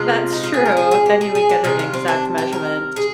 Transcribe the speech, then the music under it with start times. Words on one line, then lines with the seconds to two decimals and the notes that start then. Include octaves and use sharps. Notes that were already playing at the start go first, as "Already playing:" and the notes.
That's true, then you would get an exact measurement.
Already playing: C3 F3 G#3 F4
0.32 D#4
0.43 F4
0.54 G#4
0.65 A#4
0.77 G#4
0.91 G#4
1.06 G4
1.21 G#4
1.35 G#4
1.49 D4
1.64 C3 D#3 G3 G#4
1.79 F4
1.94 C4
2.08 D4
2.38 G4
2.53 A#4
2.96 G#4